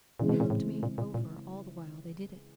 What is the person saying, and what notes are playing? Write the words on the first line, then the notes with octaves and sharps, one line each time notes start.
He looked me over all the while they did it.
A#2 C#3 E3 G#3 C4
B2
A#2
A2
A#2
A#2
A#2